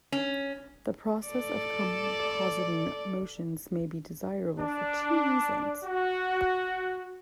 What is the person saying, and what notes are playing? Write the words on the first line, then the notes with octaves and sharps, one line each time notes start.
The process of compositing motions may be desirable for two reasons.
C#4
A4 D5
D4
F#4